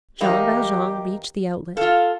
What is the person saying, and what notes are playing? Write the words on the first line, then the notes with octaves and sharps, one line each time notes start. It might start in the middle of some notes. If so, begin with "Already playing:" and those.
Jean Valjean reached the outlet.
E2 A#3 D#4 G4
F4 A4 F5